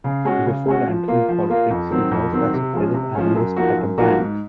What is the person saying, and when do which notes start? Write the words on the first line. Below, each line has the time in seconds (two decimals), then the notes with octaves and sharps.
Before entering politics, he worked as a credit analyst at a bank.
0.04 C#3
0.25 G#3 C#4 F#4
0.46 C#3
0.67 G#3 C#4 F#4
0.87 F3
1.08 A#3 F4
1.28 F3
1.49 A#3 F4
1.70 F2
1.91 D#3 F#3 C4
2.11 F2
2.32 D#3 F#3 C4
2.53 C3
2.73 F3 G#3 C#4
2.94 C3
3.15 F3 G#3 C#4
3.35 F#2
3.56 F3 A#3 D#4 F#4
3.77 F#2
3.98 F3 A#3 D#4 F#4
4.18 G#2